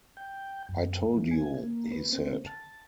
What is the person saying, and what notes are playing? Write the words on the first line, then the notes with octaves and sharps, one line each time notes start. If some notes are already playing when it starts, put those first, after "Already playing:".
"I told you," he said.
G5
F#2
E3
G#5
A#3
B3
C4
A5